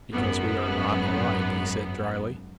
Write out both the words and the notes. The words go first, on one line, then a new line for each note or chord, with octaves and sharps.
"Because we are not alike," he said drily.
G#1 F#2 B3